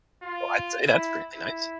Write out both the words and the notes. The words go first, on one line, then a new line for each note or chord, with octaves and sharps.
Well, I'd say that's really nice.
F4
E4
E4